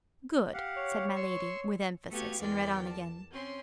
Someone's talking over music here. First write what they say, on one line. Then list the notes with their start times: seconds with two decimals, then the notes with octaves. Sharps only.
"Good," said my Lady, with emphasis, and read on again.
0.54 G4 F5 F#5
0.77 C#5
1.15 C6 C#6 E6
2.10 A3 B3 F#4 G4 F5 G#6
2.40 E2 A#4 D5 G5
2.89 A5
3.31 C4 C#4 C6